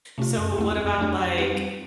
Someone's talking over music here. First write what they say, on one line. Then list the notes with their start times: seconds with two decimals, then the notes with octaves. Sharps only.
So what about, like,
0.18 C3 A3 C#4 F4
0.38 F#2
0.58 E2 A3 C4 E4
0.71 E2
0.84 F2
0.98 F2 F#3 A3 D4 G4
1.38 G3 C4 D#4 G4 B4